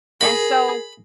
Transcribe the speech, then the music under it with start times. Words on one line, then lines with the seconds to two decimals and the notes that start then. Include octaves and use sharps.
And so
0.21 G#4 A#4 B5